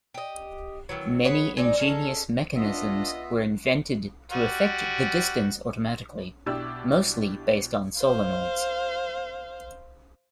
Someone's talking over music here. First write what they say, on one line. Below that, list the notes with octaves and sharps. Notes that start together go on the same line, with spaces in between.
Many ingenious mechanisms were invented to effect the distance automatically, mostly based on solenoids.
G4 D#5
D#3 E3 F#3
G#4 B4 C#5 F#5
G#3 C4 D#4 D5
C#4 D#4 G#4 A4
B3 D4 F4 D#5 E5
G3 F#4
B2 D4 E4 G4 D5 E6
C5 F5